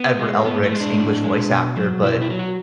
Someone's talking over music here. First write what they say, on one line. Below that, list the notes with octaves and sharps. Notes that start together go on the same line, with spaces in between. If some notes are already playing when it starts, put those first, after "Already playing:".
Edward Elric's English voice actor, but
Already playing: B3
G#3
A2 B3
A3
G#3
D4
A2
G#3
B2
F#3
B2 E4
E4
F#3
F#4